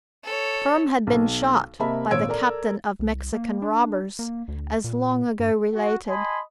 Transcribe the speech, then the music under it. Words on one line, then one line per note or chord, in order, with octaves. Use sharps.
Firm had been shot by the captain of Mexican robbers, as long ago related.
A4 C#5
B1
C3 A#3 D#5 E5 A5 B5
G#1 A#2 C#5 E6 G#6 D7
A4 A#4 D5 A#5
C2
A#3
D4
A#3
D2
A#2
G2
F#4
D#5 G#5 A5 B5 C6